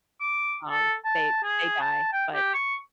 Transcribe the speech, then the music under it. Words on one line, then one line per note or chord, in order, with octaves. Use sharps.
um, they they die, but
D6
A4
A5
G#4
A5
G5
G4
C#6